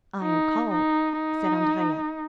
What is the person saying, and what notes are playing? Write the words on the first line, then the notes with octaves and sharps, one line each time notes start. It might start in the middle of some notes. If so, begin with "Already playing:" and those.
"I am called," said Andrea.
D#4
D#4
D#4